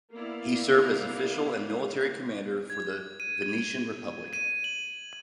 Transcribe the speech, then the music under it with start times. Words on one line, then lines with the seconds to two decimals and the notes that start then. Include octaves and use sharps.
He served as official and military commander for the Venetian Republic.
0.14 A#3 B3 E4 D5 F5
2.70 G#6
3.20 D#7
4.33 D#7
4.64 F#7